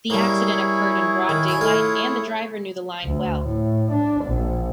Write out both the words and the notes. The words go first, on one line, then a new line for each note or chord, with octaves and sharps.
The accident occurred in broad daylight and the driver knew the line well.
G3 A#3 E4 G#4 C#5
D#3
E5 G#5
A3 F4
D2
A2
D4
A#1